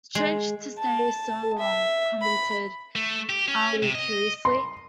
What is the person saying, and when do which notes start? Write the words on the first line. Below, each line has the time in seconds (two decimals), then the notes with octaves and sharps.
"Strange to stay so long," commented Ali curiously.
0.15 G#3
0.79 A5
1.58 E5
2.22 B5
2.95 A3
3.29 G4
3.48 C#4
3.83 C3
3.95 D#5
4.45 C6